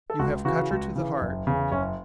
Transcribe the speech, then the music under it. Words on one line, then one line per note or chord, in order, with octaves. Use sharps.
"You have cut her to the heart."
A4
C#2 F#4
C#3 E3 F#4
C#2
C#3 E3
F#1
E2 C#3
F#1 C#4